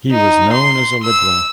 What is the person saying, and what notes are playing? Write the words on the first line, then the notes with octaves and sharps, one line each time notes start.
He was known as a liberal.
D#4
C6
E6